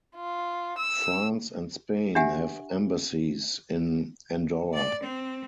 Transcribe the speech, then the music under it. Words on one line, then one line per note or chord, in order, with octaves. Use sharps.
France and Spain have embassies in Andorra.
F4
E6
D4 G4 E5 F#5 G#5
D5
C4